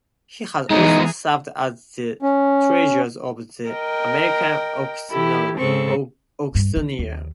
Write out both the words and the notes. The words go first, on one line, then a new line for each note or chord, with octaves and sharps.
He has also served as the treasurer of "The American Oxonian".
E3 G#3 B3 D#4 G#4 A#5
C#4
A#4 D#5 G5
E3 E4 G4 A4
G#2 C#3 C4 A4 C#6
G2
D#3
D#2